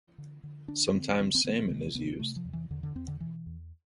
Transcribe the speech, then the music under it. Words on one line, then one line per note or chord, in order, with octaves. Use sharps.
Sometimes salmon is used.
D3
D3
D3 D4
D3 C4
D3 C4
C4
D3 B3
C3 G#3
C3 B3
C3 A3
F3
E2
E3
E2 D3
D3
E2 C4
D3
B2 E3
E2